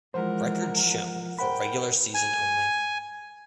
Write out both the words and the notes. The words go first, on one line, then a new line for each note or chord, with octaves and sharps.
Records shown for regular season only.
E3 F3 G#3 A#4 C5 F#5
A#4 C5 F#5 G5 B5
G#5